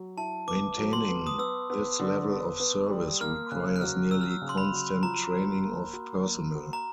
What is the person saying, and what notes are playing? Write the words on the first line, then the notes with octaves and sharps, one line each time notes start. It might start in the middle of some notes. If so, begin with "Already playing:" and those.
Maintaining this level of service requires nearly constant training of personnel.
Already playing: F#3
E4 A5
B3 D6
F#3
C6
B3
D#6
B3 E6
B3
D3
B3
B3
G3
A#3 F6
C#3 F#6
F#6
F#3 F6
F#3 E6
F6
E6
C#3
C6
B5
F#3
F3 A#5
F#4
A#3
F#4
A#3
F#4
A#5